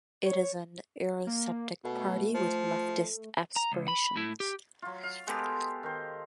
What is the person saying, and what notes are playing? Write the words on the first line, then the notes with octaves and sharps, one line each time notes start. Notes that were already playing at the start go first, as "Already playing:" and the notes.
It is an eurosceptic party with leftist aspirations.
C#5
A#3
B2 A3
F3
A#5
C#2
B5
A2 E4
G4
F#3 F4
F5
G#3 B3 G4 A4
D#3 C5